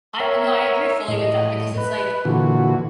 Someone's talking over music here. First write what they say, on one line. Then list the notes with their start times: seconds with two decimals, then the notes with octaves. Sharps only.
I I know, I agree fully with that because it's, like,
0.20 A#4 C#5 E5
1.08 A2 D#5
1.77 B4
2.25 A#2 D3 E3 F#4